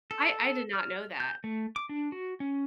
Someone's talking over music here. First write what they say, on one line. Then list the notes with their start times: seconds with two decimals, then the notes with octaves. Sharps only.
I I did not know that.
0.11 A4
0.73 F6
1.20 G6
1.44 A3
1.76 D6
1.89 D4
2.12 F#4
2.40 C#4